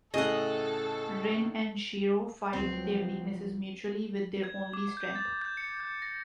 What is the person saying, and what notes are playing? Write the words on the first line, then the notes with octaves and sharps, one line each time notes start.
Rin and Shirō fight their weaknesses mutually, with their only strength.
A2 C#3 G#4 A4 D#5 F#5
C#2 F3 F#3 C4
G#6
D6
G6
A6
G6
C#7
G6
A#6